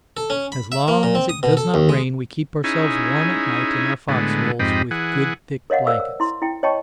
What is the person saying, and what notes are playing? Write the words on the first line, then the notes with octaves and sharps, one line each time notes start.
As long as it does not rain we keep ourselves warm at night in our fox-holes with good thick blankets.
A4
C#4
B5
E5
A#3
A#2
C4
D#6
B2
A4
D#2
G#3
C#4 D#4 E4 G#4
A2 D3 G#3 B3
F2 G#2 C4 G4 D#5 B5
E3 G#4 F#5
A#4 C#5 D#5 F5 F#5
A#4 C5 D5 F5 E6
A#4
E4 C6
E4 G5
C#5 D#5 G5 A5 B5 C#6